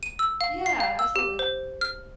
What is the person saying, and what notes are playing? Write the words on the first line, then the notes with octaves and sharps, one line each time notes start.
Yeah, absolutely.
D#7
E6
F5
C7
F5
E6
G4
C5
F6